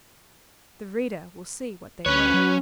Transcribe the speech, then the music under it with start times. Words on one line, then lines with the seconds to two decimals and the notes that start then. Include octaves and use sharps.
The reader will see what they were.
2.06 D2 C#4 B4 C#5
2.34 F#3